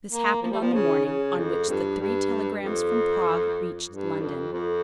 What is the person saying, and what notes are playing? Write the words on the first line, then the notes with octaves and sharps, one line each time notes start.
This happened on the morning on which the three telegrams from Prague reached London.
A#3
F3
G3
F3
C#3
C#3
F2
G2
G2
F2
G2
F2
F2